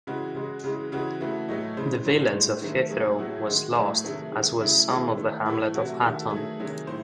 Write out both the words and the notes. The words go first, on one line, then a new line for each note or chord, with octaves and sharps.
The village of Heathrow was lost, as was some of the hamlet of Hatton.
C#3 E3 G#3 F#4
C#3 G#3
C#3 E3 G#3
C#3 E3 G#3 F#4
C#3 E3 A3 F#4
A2 F#3 A3 D#5
C#3 E3 G#3 C5
A2 F#3 A3
A2 G#3
D#3 F#3 A3
C3 F#3 A3 G#4
A2 F#3 A3 F#4
G#4
D#3 G#3 F#4
A2 F#3 A3 G#4
C3 D#3 F#3 A3 G#4
C3 D#3 A3
C#3 F#3 A3 E4
D#3 G#3 E4
D#3 A3
A2 E3 A3 E4
C3 F#3 A3 F#4
D#3 A3 F#4
A4
D#3 F#3 A3 G#4
C3 D#3 F#3
A2 C5